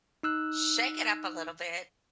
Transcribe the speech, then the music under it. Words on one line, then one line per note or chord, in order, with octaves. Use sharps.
shake it up a little bit.
D#4 E6 F#6